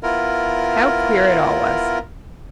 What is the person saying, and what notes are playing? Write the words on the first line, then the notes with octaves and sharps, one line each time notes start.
How queer it all was!
B3 E4 F4 A#4